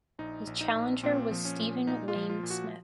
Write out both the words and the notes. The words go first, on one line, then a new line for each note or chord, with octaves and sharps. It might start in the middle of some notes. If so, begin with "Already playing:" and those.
His challenger was Steven Wayne Smith.
A#1 D#4
A#1
D#4
A#1
A#2 C4
F3
C#4
A#2
A#2 D#4
F4
F3
F4
A#2
F#4